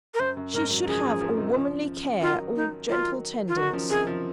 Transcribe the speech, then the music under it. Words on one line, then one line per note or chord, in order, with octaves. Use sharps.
She should have all womanly care, all gentle tendance.
A#4
F#2 C5
F#2
G#2 A#4
D#3 F#3
C#3 F3 G#4
C#3 F3
C#3 F3
C3 D#3
C#3 F3
D#3 F#3 F4
D#4
D#3 F#3 F4
F4
D#3 F#3 F#4
C#3 F3
C3 D#3 G#4
C#3 F3